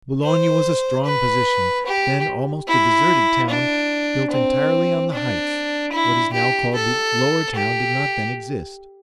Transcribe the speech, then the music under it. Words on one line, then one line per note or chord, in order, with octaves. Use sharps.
Boulogne was a strong position, then almost a deserted town, built entirely on the heights; what is now called the lower town did not then exist.
C5
B4
G4
E4
D4
C4
D4
E4
G4
A4
G4